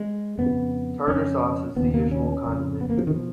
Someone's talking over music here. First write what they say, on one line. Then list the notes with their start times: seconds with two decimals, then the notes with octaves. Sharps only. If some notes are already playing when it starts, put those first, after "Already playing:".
Tartar sauce is the usual condiment.
Already playing: G#3
0.38 F2 C#3 B3
1.07 F2 C#3 C#4
1.76 D#2 C#3 B3
1.94 A#3
2.11 C#4
2.46 F2 C#3
2.81 B3
2.90 A#3
2.97 F3
3.07 D#3
3.15 B2 F3